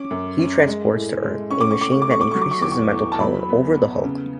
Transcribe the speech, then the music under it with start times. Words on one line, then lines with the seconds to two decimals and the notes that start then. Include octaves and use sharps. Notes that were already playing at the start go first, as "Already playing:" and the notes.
He transports to Earth a machine that increases his mental power over the Hulk.
Already playing: C#4 D6
0.11 F#2
0.39 C#4
0.67 G#3
0.95 A2
1.23 G#3
1.51 C#4 C#6
1.61 D6
1.71 C#6
1.80 A3 D6
1.92 C#6
2.02 D6
2.07 A3 C#6
2.21 D6
2.31 F#3 C#6
2.41 D6
2.51 C#6
2.62 E2 D6
2.71 C#6
2.91 E2
3.12 A5
3.20 F#3 B5
3.49 B3
3.77 B3
4.04 C#3